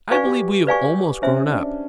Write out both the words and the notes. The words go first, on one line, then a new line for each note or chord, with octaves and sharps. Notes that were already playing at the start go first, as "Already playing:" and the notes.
I believe we have almost grown up.
F#4 B4 D5 F5 G#5 C#6
G4
B4 D5 F5 G#5 C#6
C#4 C5 E5 G#5
D4